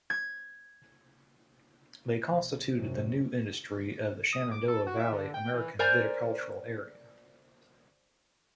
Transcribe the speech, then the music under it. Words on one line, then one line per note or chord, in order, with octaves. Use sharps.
They constituted the new industry of the Shenandoah Valley American Viticultural Area.
G#6
B1
F#2 C3
D#6
D6
A4
F#4
E5
D3
G5
E3
A#4 C5 D5 G#5 A#5